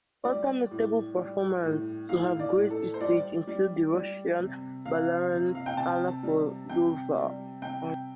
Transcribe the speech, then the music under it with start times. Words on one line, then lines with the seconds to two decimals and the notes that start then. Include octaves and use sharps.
Other notable performers to have graced its stage include the Russian ballerina Anna Pavlova.
0.25 G3 D5
0.71 A2
1.17 G3
1.63 A2
2.09 A2 F5
2.39 D5
2.56 A2
2.70 A4
2.94 C5
3.01 G3 D5
3.47 G3
3.93 G3
4.40 C3
4.86 C3 F5
5.31 C3
5.55 F5
5.66 G5
5.77 C3 A5
6.23 G3
6.69 C3 G5
7.16 G3
7.62 C3 G5